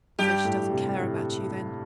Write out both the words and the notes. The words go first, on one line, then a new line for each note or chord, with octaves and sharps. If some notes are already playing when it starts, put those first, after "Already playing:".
"So she doesn't care about you, then?"
G2 G4
A2
C3
A2